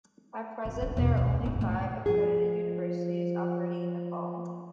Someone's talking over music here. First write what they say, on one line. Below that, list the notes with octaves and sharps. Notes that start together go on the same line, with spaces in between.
At present there are only five accredited universities operating in Nepal.
G#1
C#4
E2 B2
C#2
C#2 G#2
A2 A3
F3 G#4